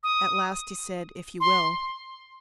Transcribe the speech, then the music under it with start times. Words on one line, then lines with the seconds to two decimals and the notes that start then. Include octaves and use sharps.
At last he said, "If you will."
0.03 D#6
1.40 C6